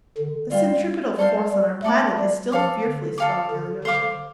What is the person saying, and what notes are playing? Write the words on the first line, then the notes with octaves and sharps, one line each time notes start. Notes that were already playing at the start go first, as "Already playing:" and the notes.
The centripetal force on our planet is still fearfully strong, Alyosha.
D3
G3 F4 C5 G5
G3 A4 C5 F5
G3
A3 A4 D5 A5 D6
G3
F3 A4 F5 D6
D3
A4 F5 D6
D3
D3 C5 F5 D6